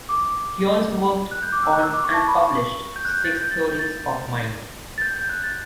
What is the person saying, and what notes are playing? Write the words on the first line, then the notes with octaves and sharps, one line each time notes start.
He also worked on and published "Six Theories of Mind".
D6
F#6
G6
D6
E6
F#6
E6
D6
C#6
A5
C#6
B5
C#6
G6
F#6
G6
A6
G6
A6
G6
A6
A6
G6
G6
F#6
A6